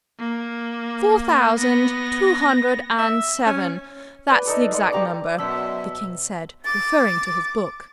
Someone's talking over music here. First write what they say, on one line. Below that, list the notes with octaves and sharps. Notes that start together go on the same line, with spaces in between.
'Four thousand two hundred and seven, that's the exact number,' the King said, referring to his book.
A#3
B3 A#6
E5
C#4
B4 D5
D#4 A4 C#6
D5 F#5 C6
G4 A#5 C#6 D6
F#2 B2 D5 A5 E6 B6
D6 A6